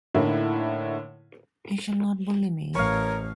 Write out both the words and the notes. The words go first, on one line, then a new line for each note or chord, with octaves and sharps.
He shall not bully me.
A2 D3 A#3 D#4 E4
A1 A#4 C#5 F5 C#6